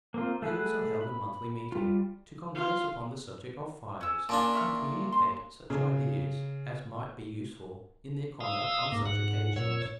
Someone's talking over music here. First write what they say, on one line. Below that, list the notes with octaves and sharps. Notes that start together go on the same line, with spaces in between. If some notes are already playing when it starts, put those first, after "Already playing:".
They also held a monthly meeting, to converse upon the subject of fires, and communicate such ideas as might be useful in their conduct on such occasions.
A#3 C4 F4
A3 G#4 B4 F#5
B5
G3 F4
F4
C#4 E6
A#2 C#4 D4 A5 D6
E5 C#6 F6
C6
C#3
F5 D#6 E6
G#2 A#3
G#2 F#5
A#2 C#5 E6